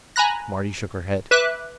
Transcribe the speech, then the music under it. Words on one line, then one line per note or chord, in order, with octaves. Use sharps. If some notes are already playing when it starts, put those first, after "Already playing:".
Marty shook her head.
G#5 A#5 B5 F#6 A#6
B4 E5 D6 F#6